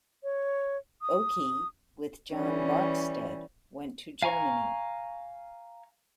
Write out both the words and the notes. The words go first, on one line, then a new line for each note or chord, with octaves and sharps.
Okey, with John Barkstead, went to Germany.
C#5
D#6
E3 G3 C#4
F5 G#5 A#5 C#6